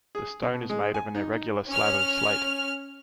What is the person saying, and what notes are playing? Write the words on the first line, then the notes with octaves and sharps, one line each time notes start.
The stone is made of an irregular slab of slate.
G#4
B2
G#3
G#5
D#4
D#4
C#4 F6